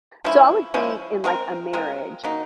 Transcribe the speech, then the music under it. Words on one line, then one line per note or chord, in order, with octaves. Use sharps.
So, I would think in like a marriage
F3 G#3 C#4 E4
F3 G#3 C#4 E4
G#3 C4 F4 A#4
G#3 C4 F4 A#4
C#3 F#3 A#3 D#4